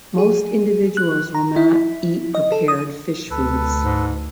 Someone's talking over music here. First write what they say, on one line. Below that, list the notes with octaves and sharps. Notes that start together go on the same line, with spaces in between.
Most individuals will not eat prepared fish foods.
G#4
F#6
A#5
E4
D#5
A4
D#6
D2 A4 B4
G#2